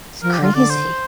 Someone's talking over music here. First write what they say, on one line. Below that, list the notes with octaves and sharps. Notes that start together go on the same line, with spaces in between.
it's crazy.
F3 A#4
G4
D3 F4
D3 D5
C5